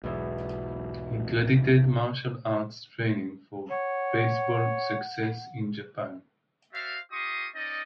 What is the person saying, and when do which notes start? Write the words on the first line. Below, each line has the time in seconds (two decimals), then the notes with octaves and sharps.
He credited martial arts training for baseball success in Japan.
0.04 B1 E2 G#2 B2
3.70 C#5 F#5
6.73 F#4 C5 D5 E5 F5
7.12 F4 G4 D#5 C6 C#6 D#6
7.54 C#4 D#4 D5 D#5